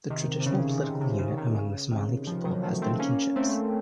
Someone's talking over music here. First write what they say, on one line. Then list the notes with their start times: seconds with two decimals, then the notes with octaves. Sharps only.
The traditional political unit among the Somali people has been kinships.
0.10 C3 D#3
0.40 C3
0.46 C#3
0.83 C3
1.01 C3
1.18 C#3
1.37 C3 D#3
1.55 C#3
1.91 C3 D#3
2.27 C#3 F3
2.45 D#3 F#3
2.63 F3 A3
2.82 A3 C4
3.00 A#3 C#4
3.36 A3 C4